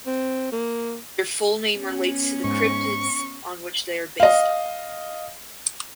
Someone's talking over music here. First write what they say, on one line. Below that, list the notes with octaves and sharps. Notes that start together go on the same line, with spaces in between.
Their full name relates to the cryptids on which they are based on.
C4
A#3
B3 C#4
G#2 C#6
D#5 F5